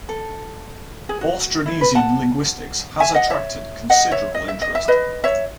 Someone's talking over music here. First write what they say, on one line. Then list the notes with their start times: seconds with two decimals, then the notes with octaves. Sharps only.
Austronesian linguistics has attracted considerable interest.
0.09 A4
1.09 G#4
1.21 F#4
1.66 E4
1.81 B4
1.95 F#5 A5
3.00 E5 G#5
3.14 D#5 F#5
3.30 C#5 E5
3.90 D#5 F#5
4.11 C#5 E5
4.34 D#5
4.48 E5
4.62 D#5
4.75 E5
4.88 B4 D#5
5.24 C#5 E5